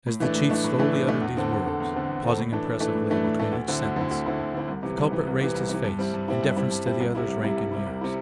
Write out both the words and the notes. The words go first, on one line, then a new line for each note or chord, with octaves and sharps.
As the chief slowly uttered these words, pausing impressively between each sentence, the culprit raised his face, in deference to the other's rank and years.
A2
E3 A3 D4
A2
E3 A3 D4
A2
E3 A3 D4
A2
E3 A3 D4
E2
D3 C4 A4
E2
D3 C4 A4
E2
D3 C4 A4
E2
D3 C4 A4
A2
E3 A3 D4 A4
A2
E3 A3 D4 A4
A2
E3 A3 D4 A4
A2
E3 A3 D4 A4
D2
D3 C4 E4
D2
D3 C4 E4
D2
D3 C4 E4
D2
D3 C4 E4
C2
C3 E3
C2
C3 E3
C2
C3 E3
C2
C3 E3
G2
G3 C4 E4
G2
G3 C4 E4
G2
G3 C4 E4
G2
G3 C4 E4
C2
C3 G3 E4
C2
C3 G3 E4
C2
C3 G3 E4
C2
C3 G3 E4